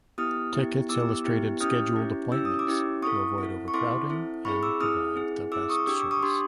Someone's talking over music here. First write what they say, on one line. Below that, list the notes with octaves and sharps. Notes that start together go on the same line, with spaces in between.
Tickets illustrated scheduled appointments to avoid overcrowding and provide the best service.
B3 E4 G4 D#6 F6
B3 E4 G4
B3 E4 G4 D6 E6
B3 E4 G4
C#4 E4 G4 D#6 F6
C#4 E4 G4
C#4 E4 G4 E6
D#6
D6 E6
C#4 E4 G4
C4 E4 A4 C#6 D#6
C4 E4 A4
C#6
C4 E4 A4 C6 D6
C4 E4 A4
C4 E4 G#4 B5 C#6
D6 E6
C4 E4 G#4 D#6 F6
C4 E4 G#4
C4 E4 G#4 D6 E6
C#6 D#6
D4 G4 D6 E6
D6 E6
C#6 D#6
D4 G4 C6 D6